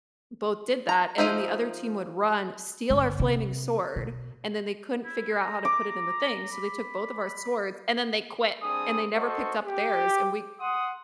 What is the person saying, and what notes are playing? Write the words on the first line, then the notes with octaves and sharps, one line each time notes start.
both did that, and then the other team would run, steal our flaming sword, and then they couldn't figure out how to put it in the thing, so they took both of our swords, and then they quit, and they never picked up theirs, and we
A#5
F3 D#4 C5 E5
G1
C3
B2
E4
A#5
D6
B5
G3 C4 D4 G#4 D#6
F#4 A4 C5 D#5 C#6
G4
F#5 C6 D#6